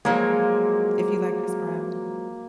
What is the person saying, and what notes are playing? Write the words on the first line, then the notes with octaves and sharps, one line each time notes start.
If you like Chris Brown.
F3 F#3 G#3 A#3